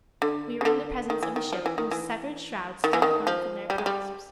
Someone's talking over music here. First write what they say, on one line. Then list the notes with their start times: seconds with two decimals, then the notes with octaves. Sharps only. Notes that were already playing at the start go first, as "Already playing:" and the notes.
We were in the presence of a ship whose severed shrouds still hung from their clasps.
0.22 D3
0.61 C#3
0.65 D3
1.10 D#3
1.23 E3
1.36 D#3
1.53 F3
1.66 E3
1.78 D#3
1.91 E3
2.84 D#3
2.93 E3
3.02 D#3
3.27 F3
3.70 G3
3.78 G#3
3.86 G3